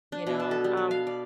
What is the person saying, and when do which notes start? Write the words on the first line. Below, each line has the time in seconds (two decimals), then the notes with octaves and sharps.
you know, um,
0.12 D4
0.27 B2
0.40 A5
0.51 A4
0.64 G3
0.77 F#4
0.91 F5
1.07 D5